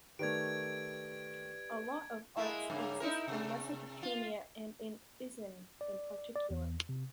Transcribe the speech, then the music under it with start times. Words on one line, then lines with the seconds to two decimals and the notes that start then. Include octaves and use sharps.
A lot of arts exist in Mesopotamia and in Isin in particular.
0.19 D#3 A3 G4 B4 D5 G#6 D7
2.37 G#3 A#3 E4
2.70 G2 C#3 A#3
3.00 D#4 E4 A#4
3.28 C3 D4
4.03 F4
5.81 D5
6.36 D5
6.51 E2
6.89 C3